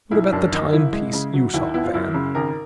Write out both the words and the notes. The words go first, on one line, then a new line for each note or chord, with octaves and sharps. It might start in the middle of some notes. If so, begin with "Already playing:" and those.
"What about the time-piece you saw, Van?"
B1 E4
F#2 D4
D#3 D#4
F#1 E4
G#3
C#3
F#3
D#2 E4
B3 E4
F4
F#2 E4
C#3
G#1 A#4